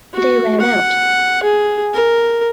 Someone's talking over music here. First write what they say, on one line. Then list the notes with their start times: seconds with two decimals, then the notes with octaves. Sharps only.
They "ran" out.
0.13 F#4
0.60 F#5
1.43 G#4
1.94 A#4